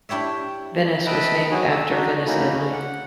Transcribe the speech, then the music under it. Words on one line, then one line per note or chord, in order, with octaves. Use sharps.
Venice was named after Venice, Italy.
D4 E4 G4 C#5 E5
B4 D#5 E5 G5 A5 B5
F#3 F#4 G#4 G#5
E6
D4 D#4 F#4
A3 A#3 C#4 D#4 E4 F#4
F#5